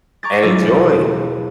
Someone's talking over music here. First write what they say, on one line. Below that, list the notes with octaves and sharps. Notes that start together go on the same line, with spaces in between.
And enjoyed.
A#5 C#6 D6 G#6 A6
F#3 D4 E4 F4 A4
E1